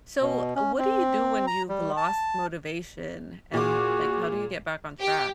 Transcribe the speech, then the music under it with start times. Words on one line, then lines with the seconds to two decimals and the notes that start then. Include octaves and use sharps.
So, what do you do when you've lost motivation, and, like, how do you get back on track?
0.21 B2
0.56 C#4
0.79 C4
1.47 A#5
1.69 G3
1.97 A5
3.54 A#2 F#4 G#4 D6
5.01 G4